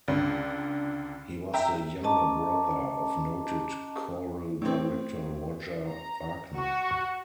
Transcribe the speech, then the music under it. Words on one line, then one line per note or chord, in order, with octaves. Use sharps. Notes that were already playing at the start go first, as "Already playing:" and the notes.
He was the younger brother of noted choral director Roger Wagner.
C#2 D3
E5 G5 A#5
C#4 D#5 A5 A#5 D6
A2 C4
A#5
F#4